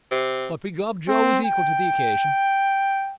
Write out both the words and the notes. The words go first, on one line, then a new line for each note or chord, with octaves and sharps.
But, begob, Joe was equal to the occasion.
C3
C4
G5